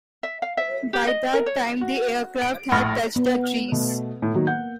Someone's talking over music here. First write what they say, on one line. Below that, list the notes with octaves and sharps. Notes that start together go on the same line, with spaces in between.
By that time the aircraft had touched the trees.
E5
F5
E5
G4
D#5
A#4
C#5
F#4
D7
A#1 A2 F#5 B5 F6 A#6
B3
B2 A3
A2
D#3 F#3 A#3
F#5 G6